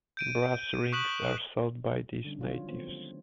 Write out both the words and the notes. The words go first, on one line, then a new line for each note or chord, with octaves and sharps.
Brass rings are sold by these natives.
G6 D7 D#7
C#6 D#6 F#6 B6 E7 F#7
D3 G3 C#4
D#3 F#3 F4 C#5
F3 A3 B3 C4